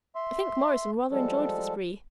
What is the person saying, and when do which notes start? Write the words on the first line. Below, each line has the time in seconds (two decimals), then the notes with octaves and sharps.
I think Morrison rather enjoyed the spree.
0.15 E5 C6
1.11 F3 G3 G#3 A4